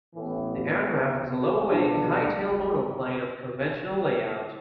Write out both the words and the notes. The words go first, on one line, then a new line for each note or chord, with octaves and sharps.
The aircraft was a low-wing, high-tail monoplane of conventional layout.
A1 A2 E3 B3
C#2 B2 D4